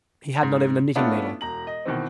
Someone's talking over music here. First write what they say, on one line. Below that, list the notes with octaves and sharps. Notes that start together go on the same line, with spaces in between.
"He had not even a knitting-needle."
G#2
A3 B3 C#4 D4 E4 F4
E1 A#5 F#7
D#5
B2 D#3 E3 C4